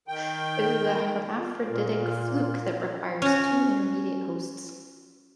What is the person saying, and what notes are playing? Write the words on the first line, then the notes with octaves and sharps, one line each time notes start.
It is a hermaphroditic fluke that requires two intermediate hosts.
D#3 G5
F4
A#2
C#4 F#4